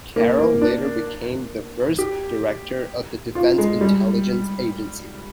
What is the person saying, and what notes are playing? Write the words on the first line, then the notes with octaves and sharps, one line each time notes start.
Carroll later became the first director of the Defense Intelligence Agency.
A#3
A#3
D4
G4
F4
G#3
G3